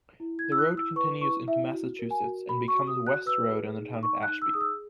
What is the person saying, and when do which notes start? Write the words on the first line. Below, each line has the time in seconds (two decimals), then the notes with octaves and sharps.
The road continues into Massachusetts and becomes West Road in the town of Ashby.
0.20 E4
0.39 G#6
0.44 E4
0.52 E6
0.58 F#6
0.70 E4
0.77 E6
0.96 B4 C#6
1.21 E4 C#6
1.47 E4 E5
1.72 F#4
1.99 A#4
2.11 G#5
2.23 F#4
2.49 F#4 B5
2.68 C#6
2.75 F#4
2.87 D#6
3.01 F#4
3.07 F#6
3.26 B4 E6
3.52 G#4
3.78 D#4
4.03 D#4 C#6
4.23 F#6
4.28 D#4
4.42 E6
4.54 G#4 D#6
4.61 E6